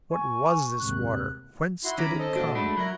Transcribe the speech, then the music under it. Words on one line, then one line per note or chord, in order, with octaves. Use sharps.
What was this water, whence did it come?
G#5 C#6
D#2 G#2 C3 F#6
E4 F#4 C6
D#3 C#4 A#5 B5 D6
A4 C5 D#5
A#2 D4 F#4
G#3 A3 D4 B5
F#3 E4 A#4 A#5